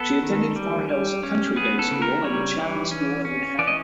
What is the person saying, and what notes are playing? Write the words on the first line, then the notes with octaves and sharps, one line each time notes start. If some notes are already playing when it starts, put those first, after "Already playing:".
She attended Far Hills Country Day School and the Chapin School in Manhattan.
Already playing: B3 A4
D#3
G3
G3
C#4
B3 G#4
A4
C#3
A#4
G3 C#5
E3
C#4
C#4
E3 D5
D#5